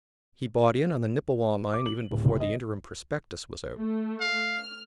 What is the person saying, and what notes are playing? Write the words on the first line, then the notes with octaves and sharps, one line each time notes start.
He bought in on the Nippewa mine even before the interim prospectus was out.
D6
F#7
D1
F1
D#5
A3
F5
F6